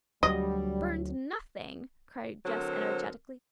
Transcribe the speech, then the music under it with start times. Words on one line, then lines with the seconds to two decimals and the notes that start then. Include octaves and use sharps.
"Burned, nothing!" cried Jess energetically.
0.23 D2 F#3 G3 D#5
2.45 D3 F#3 C4 A#4 C5